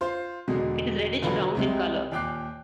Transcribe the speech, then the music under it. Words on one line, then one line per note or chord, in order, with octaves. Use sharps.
It is reddish-brown in color.
F4 C5
E1 B2 D3 G#3
B2 D3 F#3 F4 B4
C2 C3 G#3
D#2 A#2 G5 D6 F#6 C7